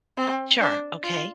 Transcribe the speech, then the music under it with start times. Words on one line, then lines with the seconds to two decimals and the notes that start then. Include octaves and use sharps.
Sure. Okay.
0.17 C4
0.60 D4
1.03 F4